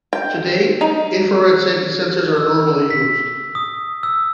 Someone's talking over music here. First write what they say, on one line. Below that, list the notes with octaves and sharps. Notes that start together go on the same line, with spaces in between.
Today, infrared safety sensors are normally used.
G5
D#4
E6
B6
D#6
E6